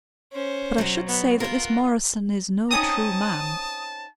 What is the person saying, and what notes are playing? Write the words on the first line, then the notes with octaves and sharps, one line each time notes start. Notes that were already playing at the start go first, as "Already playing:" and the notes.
But I should say that this Morison is no true man.
C#4 C5
B2 F#3
B3
B3 F4 A#4
C4 C#4 D#4 A5 D#6